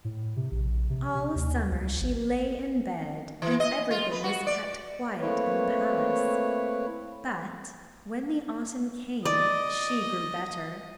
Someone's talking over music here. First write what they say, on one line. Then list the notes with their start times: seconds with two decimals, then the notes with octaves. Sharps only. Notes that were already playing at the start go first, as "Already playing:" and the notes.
All summer she lay in bed, and everything was kept quiet in the palace; but when the autumn came she grew better.
0.05 A2
0.36 C3
0.52 A#1
0.90 C3
1.15 C3
1.35 D#2
1.71 C#2
2.00 G#1
3.42 E3
3.60 D#5
3.91 F4
4.11 B4
4.24 F#4
4.47 D5
5.20 A3 A#3 C4 E4 B4 C#5
9.25 D5 D#5